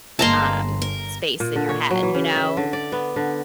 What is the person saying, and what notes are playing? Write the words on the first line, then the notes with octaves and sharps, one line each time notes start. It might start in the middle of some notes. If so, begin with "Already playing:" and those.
um, space in your head, you know,
G1 G#3 A#3 A5 A#5 C6
A#4
A#2
D3
C#5
F#3
E3
C#3
E5
D3
D5
B3
D3